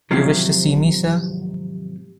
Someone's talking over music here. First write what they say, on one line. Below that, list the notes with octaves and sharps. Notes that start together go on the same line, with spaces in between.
You wished to see me, sir?
G#2 C3 D#3 F3 F#3